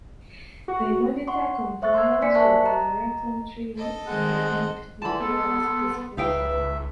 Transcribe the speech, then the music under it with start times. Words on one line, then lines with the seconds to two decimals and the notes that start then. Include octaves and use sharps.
They monitor compliance with the Euratom Treaty around nuclear waste disposal.
0.68 F#4
1.27 F#5 C6 C#6
1.82 C5 E5 C#6 F#6 A6
1.94 C6 E6 F#6 G#6
2.21 A#3 D4 D5 G#5 B6 C#7
2.35 A#4 C5 E5 A5 C#6 F#6
2.65 D#5 A#5
3.76 A4 D#5
4.08 D#3 G#3 C4 F#5
5.02 D3 E3 A5 B5 C6
5.20 B3 A4
6.17 C#2 D#4 B4 E5 F5 G5